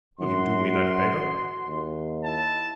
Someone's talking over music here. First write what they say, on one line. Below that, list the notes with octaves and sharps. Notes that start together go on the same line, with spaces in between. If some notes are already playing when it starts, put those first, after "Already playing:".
Will you do me that favour?'
F#2 F#4 C6
D#2
E4 A5